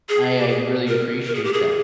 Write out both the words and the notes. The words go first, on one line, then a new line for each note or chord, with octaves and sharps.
I I really appreciate that.
G#4
G4
G#4
A#4
A#4
G#4
G4
G#4